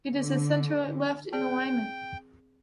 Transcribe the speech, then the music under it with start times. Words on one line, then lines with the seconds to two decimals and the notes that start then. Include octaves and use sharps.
It is centre-left in alignment.
0.12 D3
1.33 C4 G#4 D5 G5